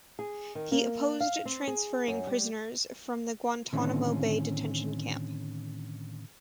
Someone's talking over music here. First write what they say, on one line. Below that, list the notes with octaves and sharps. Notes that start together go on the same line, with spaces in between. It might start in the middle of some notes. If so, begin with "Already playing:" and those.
He opposed transferring prisoners from the Guantanamo Bay detention camp.
G#4
D#3
A#3
F5
C4
G#4
F#2
G3
A2 D3 D#3 C4 C#4